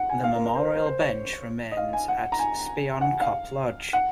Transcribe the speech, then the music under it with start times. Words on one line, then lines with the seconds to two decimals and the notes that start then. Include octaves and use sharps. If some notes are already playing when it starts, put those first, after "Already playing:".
The Memorial bench remains at Spion Kop Lodge.
Already playing: F#5
0.09 G#5
0.24 F5
0.34 A#4
0.45 A#4
0.55 C5
0.65 A#4
0.75 C5
0.86 C5
1.00 C#5
1.72 D#5
1.77 F5
1.93 G#5
2.08 F#5
2.32 A#5
2.39 G#5
3.01 F#5
3.21 F5
3.93 F#5